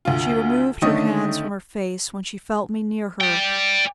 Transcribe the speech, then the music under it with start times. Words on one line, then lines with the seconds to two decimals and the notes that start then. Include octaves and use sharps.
She removed her hands from her face when she felt me near her.
0.05 D2 F4
0.82 D3 D#3 A3 C#4 D#5 D#6
3.21 D5 G5